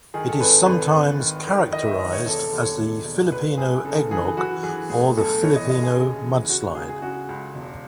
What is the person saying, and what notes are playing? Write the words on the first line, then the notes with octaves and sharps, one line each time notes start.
It is sometimes characterized as the "Filipino eggnog" or the "Filipino mudslide".
D#3 G#4
A4
G#1 B4
G#1 B4
G#1
D#3
D#3
D#3 D#5
E5
D#3 D#5
C#5
E1 A4
D#2
C#5
E1
E1
C#2 B4
C#2 G#4
C#3 A4
E3 G#4
E3 F#4
E3 G#4
A2 G#4
B1 A4
E3 C#5
D#5
D#2 D#5
G#4
C#3
E3
C#3 F#4
C#2 G#4
G#4
C#3 F#4
C#2
E1